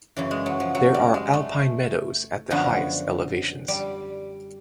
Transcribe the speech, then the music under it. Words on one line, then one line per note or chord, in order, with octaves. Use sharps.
There are alpine meadows at the highest elevations.
F#2 C#3 E3
G#3
F#3
F3
F#3
G3
G#3
A3
F#2 D3 F3 B3
G3